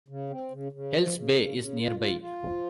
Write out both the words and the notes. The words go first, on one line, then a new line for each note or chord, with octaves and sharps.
Hells Bay is nearby.
C#3
C4
C#3
C#3
F3
C#3
C#3
C#3
F4
F4
F4
F3